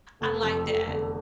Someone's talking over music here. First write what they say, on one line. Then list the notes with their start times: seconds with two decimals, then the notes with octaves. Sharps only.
I like that.
0.21 F1 A4
0.43 F2 C3 F3
0.65 F1
0.87 E2 D3